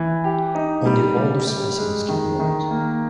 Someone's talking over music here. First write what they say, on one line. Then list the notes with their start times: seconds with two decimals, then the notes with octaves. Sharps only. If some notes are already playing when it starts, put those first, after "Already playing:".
Only the older specimens can divide.
Already playing: E3
0.24 G4
0.55 D#4
0.86 G3
1.16 G3
1.47 G3
1.78 G#3
2.09 D#3
2.40 D#3
2.70 A#3